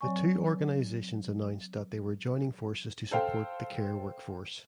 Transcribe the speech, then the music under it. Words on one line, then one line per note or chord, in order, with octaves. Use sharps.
The two organisations announced that they were joining forces to support the care workforce.
F#3 C4 C#5 D5 G#5 C#6
A4 C5 F5 G5